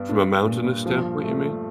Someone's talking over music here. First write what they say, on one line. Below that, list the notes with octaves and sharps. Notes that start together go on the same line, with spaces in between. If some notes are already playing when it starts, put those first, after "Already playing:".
From a mountainous standpoint, you mean?
Already playing: G2 G3 B3
D4
A#2
F3
A3